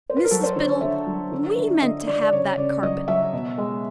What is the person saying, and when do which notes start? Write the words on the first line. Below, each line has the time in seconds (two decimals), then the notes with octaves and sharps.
'Mrs Biddle, WE meant to have that carpet.
0.10 C5
0.17 B4
0.24 A#4
0.31 F#3 A4
0.44 C5
0.56 D3 C#5
0.81 D3 E5
1.07 F#3
1.32 D3
1.57 D3
1.82 D3 D#5
2.07 D3 D5
2.22 D5
2.33 C#3 C#5
2.57 C#3 D5
2.82 F#3 D#5
3.08 F#3 E5
3.33 B2
3.58 G#3